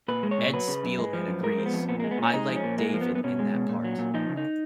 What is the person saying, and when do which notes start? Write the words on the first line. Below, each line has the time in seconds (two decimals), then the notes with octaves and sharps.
Ed Spielman agrees: I liked David in the part.
0.08 A#2 B4
0.23 G#3
0.31 C#5
0.38 A#2
0.53 F#3 B4
0.68 C#3
0.83 F#2
0.99 G#3
1.13 F3
1.28 F#2
1.43 G#3 A#4
1.58 F3
1.66 B3
1.73 F2
1.88 A#2 B3
2.00 G#3 A#3
2.11 B3
2.18 A#2 C#4
2.34 G#3 D#4
2.48 F3
2.56 C#4
2.63 A#2
2.78 G#3 A#3
2.94 F3
3.01 B3
3.10 F#2
3.15 B3
3.24 B2 C#4
3.39 G#3
3.54 B2
3.69 A#2
3.84 F#3
3.99 A#2
4.14 F3 D#4
4.29 C#3
4.37 D#4